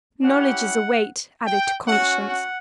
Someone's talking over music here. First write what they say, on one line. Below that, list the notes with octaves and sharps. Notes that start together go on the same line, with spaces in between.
"Knowledge is a weight added to conscience."
C#4 E4 G4 F#5
G5
C#4 F#4 F#5
F#5